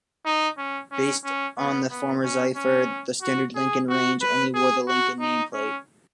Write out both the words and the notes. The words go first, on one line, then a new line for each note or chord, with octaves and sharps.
Based on the former Zephyr, the standard Lincoln range only wore the Lincoln nameplate.
D#4
C#4
C#4
C#4
B3
B3
C#4
C#4
F#4
G#4
F#4
B4
G#4
F#4
D#4
C#4